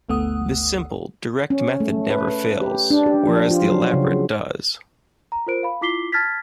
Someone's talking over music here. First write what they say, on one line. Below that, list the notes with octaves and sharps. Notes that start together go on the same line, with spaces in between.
The simple, direct method never fails, whereas the elaborate does.
G1 D2 A3 B3 F#5 D#6
C#4
A3
B4
B4
G4
D4
G4
F3
F4
F#3
C#3
A#5
F4 A#4 C5 D7
F5 B5
E4 F4 D6 B6 C7 G7
A5 F6 G#6 A6 B6